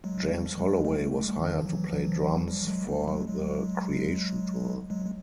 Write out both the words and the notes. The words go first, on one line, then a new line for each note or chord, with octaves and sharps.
James Holloway was hired to play drums for the Creation tour.
F#3 G#3
F3 G3
G3
F#3 G#3
G3 A3
A3
G#3
G3 A3
D#3 F3
F3
E3 F#3
F3
E3 F#3
F3
E3 F#3
F3 G3
F#3 G#3
G3 A3
F#3 G#3
F#3 G#3
F#3 G#3
G#3